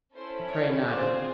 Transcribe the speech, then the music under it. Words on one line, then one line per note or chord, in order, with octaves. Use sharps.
De Craye nodded.
C#4 E4 A4 C5
C#5
C4 F4 G#4 C5 D5